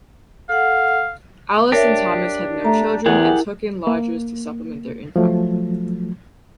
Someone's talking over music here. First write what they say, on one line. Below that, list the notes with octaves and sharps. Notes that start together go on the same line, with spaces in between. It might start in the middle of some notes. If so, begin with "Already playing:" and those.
Alice and Thomas had no children and took in lodgers to supplement their income.
A4 F5 F#5
D4 G4 A#4 C#5 E5
A3 A#5
E2 E4 G4 G#4 A#4 F#5
A#3
F3 F#3 A3